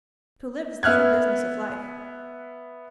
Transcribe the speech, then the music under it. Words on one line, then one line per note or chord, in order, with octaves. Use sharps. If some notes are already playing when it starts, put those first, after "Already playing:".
To live is the true business of life.
B3 E5 F6 F#6 G#6